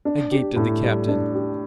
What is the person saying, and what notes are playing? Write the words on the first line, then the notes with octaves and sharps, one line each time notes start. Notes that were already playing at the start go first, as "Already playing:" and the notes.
I gaped at the captain.
D4
G4
A2
G3
D4
G4